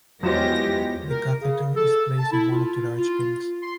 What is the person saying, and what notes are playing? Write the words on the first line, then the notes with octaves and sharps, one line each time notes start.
The catheter is placed in one of the large veins.
E2 F#3 G#3 B3 F4 G4 C5 A#6
A#4
C#3
A4
A5
E4
F4
F4
C6